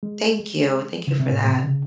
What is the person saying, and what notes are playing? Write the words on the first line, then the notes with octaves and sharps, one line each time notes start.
thank you, thank you for that,
G#3
C#3
C3
A2
A2
C3
C#3